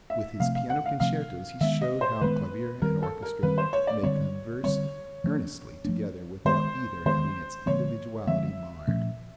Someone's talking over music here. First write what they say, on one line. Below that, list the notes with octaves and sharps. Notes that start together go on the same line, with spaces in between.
With his piano concertos he showed how clavier and orchestra may converse earnestly together without either having its individuality marred.
E5
C3 F3 A3 C4 F5
F5
F#5
F5
C3 F3 A3 C4 F5
D#3 G#3 B3 E5
D#5
C5
D#3 G#3 B3 B4
D#3 G3 C4 A#4
A4
A#4
D#3 G3 C4 B4
C5
C#5
D5
D3 G3 C4 C#5
D3 G3 C4 C#5
F3 A3 D4
F3 A3 D4
D#3 G#3 B3 C5
D#3 G#3 B3 C5
D3 F3 G#3 C4 C#5
D3 F3 G#3 C4 E5
A#2 F3 A3 C#4